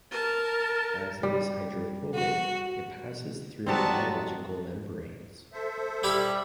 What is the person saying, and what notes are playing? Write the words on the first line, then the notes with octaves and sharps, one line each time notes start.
As it is hydrophobic, it passes through biological membranes.
A#4 A5
G3
F#4
F#3 G3 B3 C4 F#4 A5
A4 C5 E5
G3 E4 G4 B5